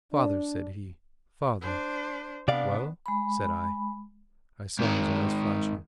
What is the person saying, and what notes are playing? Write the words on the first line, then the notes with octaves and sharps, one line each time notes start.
'Father,' said he, 'father!' 'Well?' said I. I saw his eyes flashing.
D4
D4 C5
C3 B3 D4 D5 F5
G#3 B5
G#2 D#3